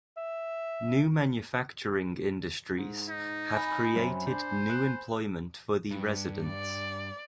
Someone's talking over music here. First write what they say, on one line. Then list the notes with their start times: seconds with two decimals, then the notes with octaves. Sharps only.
New manufacturing industries have created new employment for the residents.
0.17 E5
2.78 G#2
3.09 D#4
3.53 G#5 B5
3.96 F#2 F#3 C4
4.27 D4 C5
4.69 F#6 E7
5.91 G2
6.47 D5